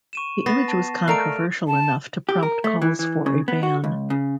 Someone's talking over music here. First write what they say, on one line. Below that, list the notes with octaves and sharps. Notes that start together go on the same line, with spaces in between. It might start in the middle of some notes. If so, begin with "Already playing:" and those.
The image was controversial enough to prompt calls for a ban.
C#6 D#7 E7
B3 A6 A#6 C7
A5
A3 A#4 D5 D#5 F5 A#5 F6 D7
A5
G4
A#4
A3
E3
E3
C#3
B3
F#4
C#2
C#3